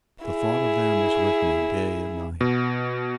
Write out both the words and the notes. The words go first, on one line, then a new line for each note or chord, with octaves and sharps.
The thought of them is with me day and night.
E4 G#4
B2